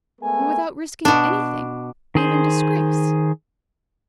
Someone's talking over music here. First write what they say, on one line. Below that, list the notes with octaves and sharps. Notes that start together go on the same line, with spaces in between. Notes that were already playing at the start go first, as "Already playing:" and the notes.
And without risking anything--even disgrace!
G#3 A3 B3 A#4 G#5
B2 D4
D#3 G#4 C5